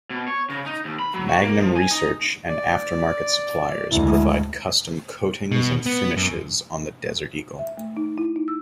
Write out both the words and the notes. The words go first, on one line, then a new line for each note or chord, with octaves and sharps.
Magnum Research and aftermarket suppliers provide custom coatings and finishes on the Desert Eagle.
B2
C#5
C#3
D#4
D#2
B5
F#3
F#4
A#3
F3
G#5
D#4
D5
D2 G#3 E4
B2
B3
F#2
E5
A3
D#4
E4
D#4
E6